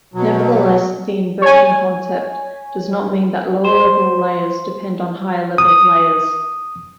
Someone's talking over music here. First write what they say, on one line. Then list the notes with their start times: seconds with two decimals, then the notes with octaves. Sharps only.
Nevertheless, the "inversion" concept does not mean that lower-level layers depend on higher-level layers.
0.14 B2 F#3
1.42 C#5 G#5
3.65 C5
5.58 D#6